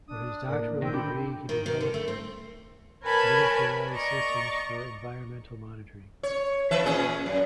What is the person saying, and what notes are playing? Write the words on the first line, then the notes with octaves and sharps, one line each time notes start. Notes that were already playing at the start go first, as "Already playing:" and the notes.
For his doctoral degree he developed miniaturised systems for environmental monitoring.
D4 D#6
A2 A#3 D5
D#3 C4 G5
D3 A4 B5 D6 G6
D#3
D#3
D3
A3
C4
A#4 B4 C#5 G#5 A5 B5
D5 D#5 A#5 C#6
C#5
E3 B4 E5
A#2 C#4 G#4
F#2